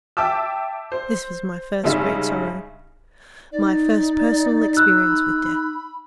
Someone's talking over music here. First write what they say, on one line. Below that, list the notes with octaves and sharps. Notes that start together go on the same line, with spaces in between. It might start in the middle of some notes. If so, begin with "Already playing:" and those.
This was my first great sorrow--my first personal experience with death.
E5 G5 A5 D6 E6
C5
G2 C#3 G#3 D#4 E5
D#4 D5
B5 E6 F#6